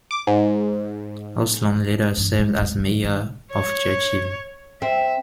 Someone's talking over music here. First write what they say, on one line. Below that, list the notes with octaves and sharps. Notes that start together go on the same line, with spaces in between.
Osland later served as mayor of Churchill.
D6
G#2
G2 E3
G3 G#3
E2 G3
D3 F#3
D#3
C#5
C4 E5